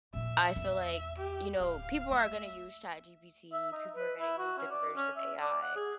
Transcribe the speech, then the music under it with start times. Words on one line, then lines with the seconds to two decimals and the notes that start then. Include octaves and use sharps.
I feel like, you know, people are gonna use ChatGPT, people are gonna use different versions of AI,
0.14 A#2 F3 E5
0.56 E2
1.17 G4
1.60 D1 F5
2.11 A3 E5
3.53 E5
3.72 D#4
3.95 B4
4.19 E4
4.38 F#4
4.58 C#4
4.71 D5
4.96 C#4
5.17 E5
5.42 D5
5.62 F#5
5.76 G#4